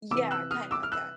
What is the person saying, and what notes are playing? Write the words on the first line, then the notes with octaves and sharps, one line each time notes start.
Yeah. Kinda like that.
C3 E3 D6 E6
E6 F#6
D#6 F6
D6 E6
F6
E6 F#6